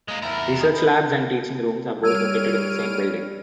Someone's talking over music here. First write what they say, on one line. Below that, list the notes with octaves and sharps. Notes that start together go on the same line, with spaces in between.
Research Labs and teaching rooms are both located in the same building.
G#3 A#3
E2 E4 A#4 G5
B3 D#5 G#5
G3 C#5 E6 F6 G#6 D7 D#7